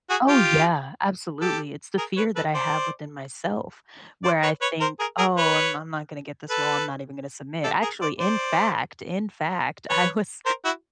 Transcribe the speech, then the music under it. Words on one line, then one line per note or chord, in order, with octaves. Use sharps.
Oh, yeah, absolutely, it's the fear that I have within myself where I think, "Oh, I'm I'm not gonna get this role, I'm not even gonna submit," actually, in fact in fact, I was
F#4 G#4
F4 G4
G4 A4
G#4 A#4
B4 C#5
A4 B4
C5 D5
C5 D5
B4 C#5
B4 C#5
A#4 C5
G#4 A#4
G#4 A#4
B4 C#5
A4 B4
G4 A4
G#4 A#4
C5 D5
C5 D5
B4 C#5
A#4 C5
E4 F#4